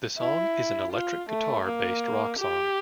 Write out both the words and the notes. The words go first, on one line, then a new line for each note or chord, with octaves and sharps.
The song is an electric guitar-based rock song.
E4
F4
A3
A#3
G4